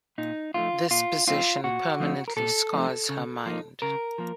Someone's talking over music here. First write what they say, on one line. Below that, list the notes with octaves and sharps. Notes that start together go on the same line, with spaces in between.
This possession permanently scars her mind.
A#2 D#4
F3 A3 C4 D#4 F4
A#2 F4
F3 A3 C4 D#4 F4
A#2 F#4
F3 A3 C4 D#4
A#4
A#2 A4
F3 A3 C4 D#4
C#3
F3 A#3 D#4
C#3 A#4
F3 A#3